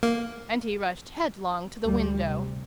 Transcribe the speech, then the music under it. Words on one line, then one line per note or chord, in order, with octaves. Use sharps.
And he rushed headlong to the window.
A#3
D2 G3
C3